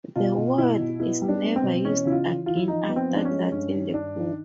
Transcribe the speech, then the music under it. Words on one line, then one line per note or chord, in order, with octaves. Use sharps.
The word is never used again after that in the book.
B2 F4
B2
B2 E4
B2
B3 E4
G3
D4
B3
C4
B2
E3 C#4
C#3 E4
F4
E3
E3 F4
E4
F3 D#4
B3
C4
F3
D4
C#4
G#3
G2 C#4
D#3
G2 D4
D#3